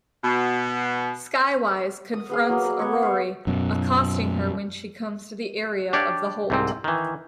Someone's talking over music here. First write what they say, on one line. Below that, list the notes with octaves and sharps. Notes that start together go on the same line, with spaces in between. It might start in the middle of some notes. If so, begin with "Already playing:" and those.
Skywise confronts Aroree, accosting her when she comes to the area of the holt.
B2
D#6
B3 G#4 F5
F#3 A#3
G#4
B3 C#5
C#5 F5
F#2 B2
D4 G4 C#5 D5
C2 G#2 C4
D#3 E3